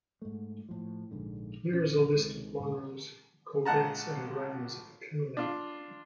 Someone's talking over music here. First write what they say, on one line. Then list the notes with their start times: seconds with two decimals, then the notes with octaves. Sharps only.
Here is a list of Munros, Corbetts and Grahams of the Cuillin.
0.22 G#2 A3
0.69 A2 F3
1.11 A#1 G#2 D3
1.70 A#1 C#4
2.14 C#2 C3 D#3 G#3
2.59 G2 A#2 D3 G#3
3.65 A#1 G#3 F#5 A5 A#5
5.37 D4 F4